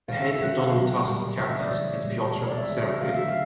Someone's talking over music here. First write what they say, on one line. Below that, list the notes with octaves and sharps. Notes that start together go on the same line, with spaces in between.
The head of Donald Tusk's cabinet is Piotr Serafin.
D#3 G#3 F5
E5
E5
D3 F3 G#3 F#5
F5
C#3 F#3 A3
A#2 G3 A#3
C#3 E3 A3 E5
D#5
D5
C#3 E3 G3 C#5
A#2 G3 A#3
B2 G#3 C#5
D5
E5
C#3 E3 G#3
D3 F#3 A3 F5
E5
F5